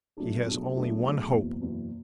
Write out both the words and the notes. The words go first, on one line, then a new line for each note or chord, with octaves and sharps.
He has only one hope.
B2 F#3 A3 D4 G#4
B2 F#3 A3 D4 G#4
B2 F#3 A3 D4 G#4
B2 F#3 A3 D4 G#4
F#1 E2 B2
F#1 E2 B2